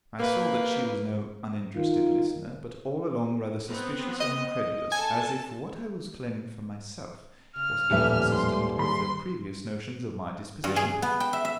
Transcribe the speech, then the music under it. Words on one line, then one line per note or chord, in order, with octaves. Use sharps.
I saw that she was no uninterested listener, but all along rather suspicious and incredulous, as if what I was claiming for myself was inconsistent with her previous notions of my disposition.
A#3 B4 F5
D#3 F4
B3 C4
D#5
A4 G#5 A5
C#3 F6
D#1 F2 A2 G3 B4 E5
C6
D#2 B5 C6
G2
G#4
B3
G5
E5
E5